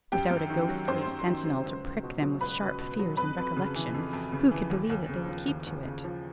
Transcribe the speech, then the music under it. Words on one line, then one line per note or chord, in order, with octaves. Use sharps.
Without a ghostly sentinel to prick them with sharp fears and recollections, who could believe that they would keep to it?
F#2 G4 G5
F#2
D#3
F#3
F#2 C5 C6
F#2
D#3
F#3
C#2
C#2
B2
F#3
C#2 B4 B5
C#2
B2
F#3
F2 B4 B5
F2
C#3
E3
F2
F2
C#3
E3
D#2
D#2
C#3
F3
D#2
D#2
C#3
F3